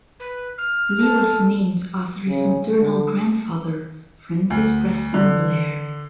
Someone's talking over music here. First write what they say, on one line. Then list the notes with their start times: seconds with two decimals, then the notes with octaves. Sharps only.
Lee was named after his maternal grandfather, Francis Preston Blair.
0.20 B4
0.58 F6
1.01 A4
2.27 C#3
2.79 D3
4.50 D2
5.14 D3